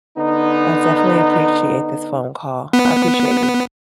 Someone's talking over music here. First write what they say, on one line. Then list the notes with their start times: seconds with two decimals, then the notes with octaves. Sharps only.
I definitely appreciate this phone call, I appreciate you.
0.18 D3 B3 D#4
2.73 B3